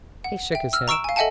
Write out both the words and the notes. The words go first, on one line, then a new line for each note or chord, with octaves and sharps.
He shook his head.
F#5
E5 G5
E6 F6
A#5 C#6 E6 D7 E7
F5 G#5
A4 D#5 E5 F#5 G#5 A5